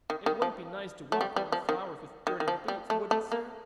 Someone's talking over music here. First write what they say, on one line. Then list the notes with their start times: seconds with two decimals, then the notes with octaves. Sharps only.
"It wouldn't be nice to walk over the flowers with dirty boots--would it, sir?"
0.10 D#3
0.26 D#3
0.42 F3
1.12 A3
1.21 G3
1.36 G3
1.52 F3
1.69 D#3
2.27 D#3
2.40 D#3
2.48 F3
2.68 G3
2.90 A3
3.11 A3
3.32 A#3